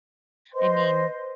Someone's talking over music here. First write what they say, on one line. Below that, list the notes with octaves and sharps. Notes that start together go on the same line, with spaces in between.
I mean,
B4 C5 D#5 C6